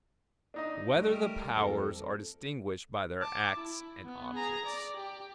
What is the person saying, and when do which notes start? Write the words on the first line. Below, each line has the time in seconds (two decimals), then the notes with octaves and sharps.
Whether the Powers Are Distinguished by Their Acts and Objects?
0.54 D4 D#4 D#5
0.96 G3 A3 A#4
1.57 F2 A4
3.22 A5 D6
3.56 E4
4.06 B3
4.35 G#4 A#5
4.65 D5
4.97 G4